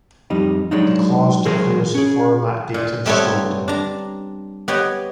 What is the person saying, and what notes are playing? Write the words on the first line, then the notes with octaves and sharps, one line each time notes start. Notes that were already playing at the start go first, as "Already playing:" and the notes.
The clause declares the format data is stored in.
F2 G3 D#4
F#3 G#3 D4 D#4
E3 F#3 G#3 G#4 A#4 C5
C#4 G#4
A#2
G3 A3 B3 C4 C#5
D4 A#5
B3 G4 C#5 D#5